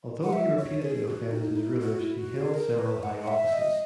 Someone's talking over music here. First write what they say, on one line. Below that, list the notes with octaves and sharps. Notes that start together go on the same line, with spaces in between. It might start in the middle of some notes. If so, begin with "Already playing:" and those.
Although he repeatedly offended his rulers, he held several high offices.
F#5
E5
C#5
G#4
F#4
D#4
E4
F#4
E4
F#4
G#4
A#4
B4
F#5
E5
D#5